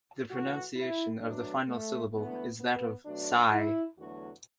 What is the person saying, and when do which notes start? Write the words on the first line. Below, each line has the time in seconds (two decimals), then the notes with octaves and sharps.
The pronunciation of the final syllable is that of "sigh".
0.30 A2 E3 A3 F#4
0.76 E4
1.22 B2 F#3 A3 D4
1.69 A3
2.14 E2 D3 A3 B3
2.60 B3
3.05 B2 F#3 A3 D4
3.52 E4
3.98 E2 D3 F#3 A3 F#4